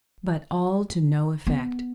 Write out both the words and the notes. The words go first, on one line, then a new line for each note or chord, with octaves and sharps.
But all to no effect.
B3